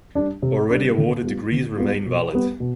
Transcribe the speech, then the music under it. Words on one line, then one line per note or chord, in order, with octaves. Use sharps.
Already awarded degrees remain valid.
G3 D4
C3
G3 D4
D3
G3 B3 F4
D3
G3 B3 F4
B2
G3 B3
B2